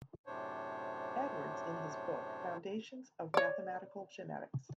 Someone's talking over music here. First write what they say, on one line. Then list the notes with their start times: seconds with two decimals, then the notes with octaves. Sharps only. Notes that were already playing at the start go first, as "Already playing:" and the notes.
Edwards in his book "Foundations of Mathematical Genetics".
0.27 F#2 A2 C3 D4 C5 C#5
3.34 C#5 D5